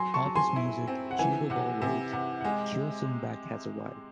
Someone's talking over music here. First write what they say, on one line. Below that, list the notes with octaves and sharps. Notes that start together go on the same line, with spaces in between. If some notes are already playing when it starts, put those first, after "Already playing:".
Of his music, Hugo Ball wrote, Huelsenbeck has arrived.
Already playing: F#3 G#5 C6
A5 C#6
F#3
G#5 C6
E4
C4
F#5
E3 G#5
C3 F#5
C3 G#5
C3 F#5
F#5
G#3 G#5